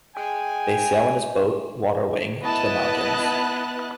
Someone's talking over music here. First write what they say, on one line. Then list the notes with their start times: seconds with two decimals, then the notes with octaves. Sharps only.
They sail on his boat, "Waterwing" to the mountains.
0.15 G#3 G5 G#5
2.43 B3 E4 D#5 A5 F#6